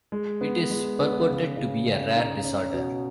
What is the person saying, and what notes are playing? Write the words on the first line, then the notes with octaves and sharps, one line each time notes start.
It is purported to be a rare disorder.
G#3
B3
G#3
B3
C#3
C#3
C#3
D#4
C#4
B2